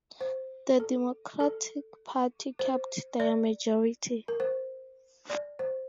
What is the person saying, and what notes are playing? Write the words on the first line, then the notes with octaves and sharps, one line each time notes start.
The Democratic Party kept their majority.
C5
A4
A4
C5
D5
A#4
C5
D5
C5